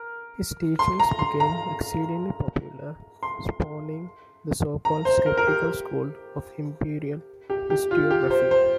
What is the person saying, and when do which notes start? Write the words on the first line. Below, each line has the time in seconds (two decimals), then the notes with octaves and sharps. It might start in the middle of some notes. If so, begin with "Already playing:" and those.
His teachings became exceedingly popular, spawning the so-called sceptical school of imperial historiography.
Already playing: A#4
0.79 C6
1.00 A#5
1.19 C6
1.40 A#5
3.23 C6
4.85 A#5
5.05 C5
5.26 A#4
5.38 A#4
5.47 G4
7.50 G4
7.70 G4
7.91 F4
8.11 G4
8.31 C5
8.51 C5